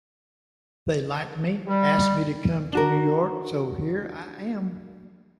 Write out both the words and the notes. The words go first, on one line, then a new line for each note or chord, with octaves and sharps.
They liked me, asked me to come to New York, so here I am!
G3
D4 F#4 A#4